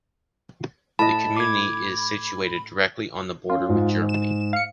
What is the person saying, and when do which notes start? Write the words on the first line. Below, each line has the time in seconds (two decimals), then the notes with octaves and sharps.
The community is situated directly on the border with Germany.
0.99 A2 D#5 A5 B5
1.36 D6 G#6
3.50 C#4 F4
3.69 G#2
4.09 E7
4.53 F5 C#7